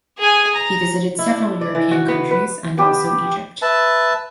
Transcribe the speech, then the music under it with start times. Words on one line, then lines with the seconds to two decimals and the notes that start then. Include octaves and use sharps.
He visited several European countries and also Egypt.
0.19 G#4 G#5
0.55 A#5
1.19 E4
1.31 D4
1.61 D5
1.75 E3
1.91 F#4
2.08 B3
2.31 B4
2.77 B3 G4 D#6 E6
3.62 B4 E5 A5